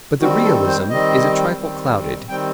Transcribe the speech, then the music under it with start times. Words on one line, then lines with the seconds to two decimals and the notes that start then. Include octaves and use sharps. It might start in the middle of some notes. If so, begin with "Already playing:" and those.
But the realism is a trifle clouded.
0.21 D#3 G3 C4 F#4
0.44 A4
0.67 C5
0.90 D#3 G3 C4 D#5
1.60 D#3 G3 C4
2.29 D#3 G3 C4 G5